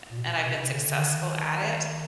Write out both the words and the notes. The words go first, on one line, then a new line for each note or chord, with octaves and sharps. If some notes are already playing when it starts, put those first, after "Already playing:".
a and I've been successful at it,
A#2
B2
C3
D3
D#3